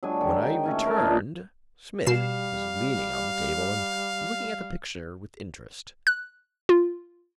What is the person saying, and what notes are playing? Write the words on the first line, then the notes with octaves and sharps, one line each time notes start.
When I returned, Smith was leaning on the table and looking at the picture with interest.
F#3 G#3 D4 G#5
D#3
G5
A3 C#4 G#5
A#4 E5 A5
A#2 D4 D#5
B2 G3 F5 C7 E7
F#6
F4